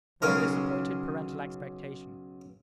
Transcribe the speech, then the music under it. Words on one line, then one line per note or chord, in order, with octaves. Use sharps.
Rum disappointed parental expectation.
B1 C#3 A#4